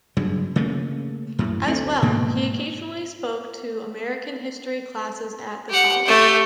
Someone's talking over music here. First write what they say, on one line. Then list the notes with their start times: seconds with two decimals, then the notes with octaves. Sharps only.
As well, he occasionally spoke to American History classes at the college.
0.17 F#1 G2 C#3 F#3
0.56 C#3 A3 A#3 C#4
1.39 F#2 A2
1.66 D2 A3 C4
2.02 G#2 B2 A#3 B3
5.70 G4 F#5
6.06 A3 G4